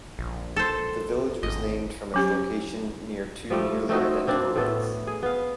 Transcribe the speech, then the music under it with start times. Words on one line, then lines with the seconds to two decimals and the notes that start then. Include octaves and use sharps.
The village was named from its location near two nearly identical lakes.
0.19 A#1
0.56 A4 C5
1.43 G#1 D#5
2.14 F#3 C#4 G4
3.50 F3 G3 A3
3.89 A3 C4 D#4 F#4
4.27 A#3 C4 D4
4.56 A2 A3 B3 A4
5.07 G#4
5.23 B3 F5